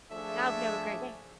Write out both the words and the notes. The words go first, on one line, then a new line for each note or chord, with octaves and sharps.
I hope you have a great day.
F3 A3 D4 G#4 A4 E5